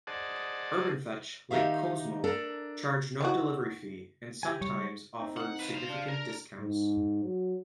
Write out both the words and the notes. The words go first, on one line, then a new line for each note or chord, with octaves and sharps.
Urbanfetch, like Kozmo, charged no delivery fee and sometimes offered significant discounts.
G#4 C5 D5 D#5 F#5 A5
D#3 D#4 G4 E5 F5
D4 A4 A#4 D5
D#3 E3 F#4
G4 G#5
G3 C#5
C4 D#4
F#5
D#2 B4
C5 F5
D4 F6
A#4 A#5
G#2
F#3